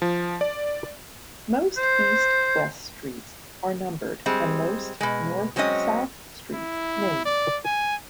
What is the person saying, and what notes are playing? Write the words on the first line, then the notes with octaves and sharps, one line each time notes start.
Most east-west streets are numbered and most north-south streets named.
F3
D5
C5
G3 G#3 C4
B2 G#3
F#3 G#3 C4 C#4 D#5
E4
D5
G#5